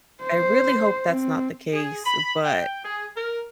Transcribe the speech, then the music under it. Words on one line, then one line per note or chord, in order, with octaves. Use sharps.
I really hope that's not the case, but
C5
C4
G#4
B5
G5
G#4
A#4